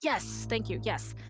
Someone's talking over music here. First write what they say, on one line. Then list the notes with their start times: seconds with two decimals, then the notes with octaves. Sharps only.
Yes, thank you, yes,
0.14 A1